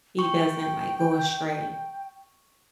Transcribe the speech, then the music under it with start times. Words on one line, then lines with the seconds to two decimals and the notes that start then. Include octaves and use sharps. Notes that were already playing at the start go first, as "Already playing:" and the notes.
he doesn't, like, go astray.
0.19 G5 C#6